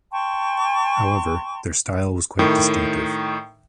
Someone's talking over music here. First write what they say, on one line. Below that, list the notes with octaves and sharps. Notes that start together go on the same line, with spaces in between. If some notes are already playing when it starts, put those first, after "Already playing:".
However, their style was quite distinctive.
G5 A5 C6 C#6
A2 D#3